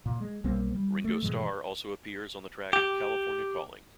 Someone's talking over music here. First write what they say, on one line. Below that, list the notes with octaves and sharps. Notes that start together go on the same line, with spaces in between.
Ringo Starr also appears on the track "California Calling".
A#2
G#3
B1 G3 A#3 C4
G3
A3
G#2 B2 E3 G#3
G4